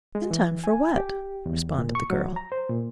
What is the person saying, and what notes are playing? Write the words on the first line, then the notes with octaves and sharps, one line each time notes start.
"In time for what?" responded the girl.
G#3
E3
G#5
G4
E2
A#2
C#6
F#3
A#5
C5
A#2